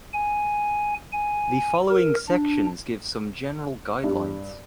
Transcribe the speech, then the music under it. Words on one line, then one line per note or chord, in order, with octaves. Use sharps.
The following sections give some general guidelines.
G#5
G#5
A#4
D4
G2